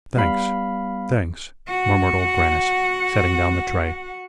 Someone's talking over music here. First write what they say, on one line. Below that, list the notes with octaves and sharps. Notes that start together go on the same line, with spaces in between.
"Thanks, thanks," murmured Old Grannis, setting down the tray.
G3 B3 F5 B5
F#4 F#5